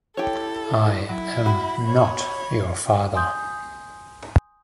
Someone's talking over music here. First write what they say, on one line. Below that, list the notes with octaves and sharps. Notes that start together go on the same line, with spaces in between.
I am "not" your father!
E4 G4 A4 C#5
F#3 E4
F#4 B5
C#5
G#5 C6 D#6 G6